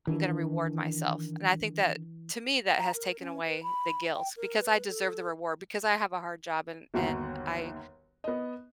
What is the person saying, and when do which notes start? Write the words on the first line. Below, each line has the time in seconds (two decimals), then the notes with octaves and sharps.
"I'm gonna reward myself," and I think that to me that has taken away the guilt, because I deserve the reward, because I have a hard job, and and I
0.07 D#3 E3 D4
2.78 A#5
2.94 A#4
3.19 C#4
3.46 B4
3.63 B5
4.15 G5
4.37 A#4
4.59 B4
4.88 A4
6.94 G1 D#2 F#4 F#5 A#5
8.24 B3 D#5